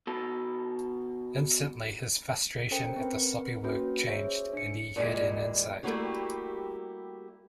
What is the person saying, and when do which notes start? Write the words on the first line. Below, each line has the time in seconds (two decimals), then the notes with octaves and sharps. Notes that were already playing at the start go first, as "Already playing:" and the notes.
Instantly, his frustration at the sloppy work changed and he had an insight.
0.07 B2 A4
2.71 C#4 A4 A#4 C5 G5 C#7
2.96 C4 A#4 B4
3.64 A#3 C#4 F#4 B4
4.07 G#4 C5 C#5 E5
4.53 D4 C#7
4.96 E2 A#2 E3 G3 G#3
5.83 G3 A3 A#3 E4 F#4 G4